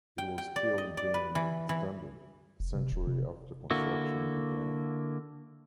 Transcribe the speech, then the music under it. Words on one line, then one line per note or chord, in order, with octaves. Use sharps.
It was still being extended a century after construction began.
G5
G5
D5
D#5
D5
B4
E3
E3
F1
C3
D#1
C3
D3 A#3 E4 F#4